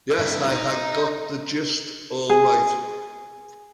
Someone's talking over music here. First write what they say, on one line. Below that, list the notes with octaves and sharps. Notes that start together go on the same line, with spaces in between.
Yes, I had got the gist all right.
G2 E4
D#4
G#4